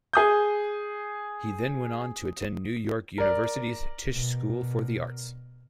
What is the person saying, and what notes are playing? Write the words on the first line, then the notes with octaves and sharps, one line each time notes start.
He then went on to attend New York University's Tisch School for the Arts.
G#4 D#6 G6
A#4 D5
B2